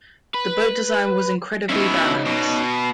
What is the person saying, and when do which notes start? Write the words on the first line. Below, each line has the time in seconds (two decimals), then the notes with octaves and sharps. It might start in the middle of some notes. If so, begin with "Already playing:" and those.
The boat design was incredibly balanced.
0.34 B4
1.69 B2 C#4 D#4 E4
2.26 B2